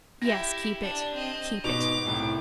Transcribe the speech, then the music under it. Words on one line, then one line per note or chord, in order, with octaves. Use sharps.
"Yes, keep it--keep it."
E4 G4 A#6
D4
C4 D#5
G#2 B2 D6 F7
C2 A2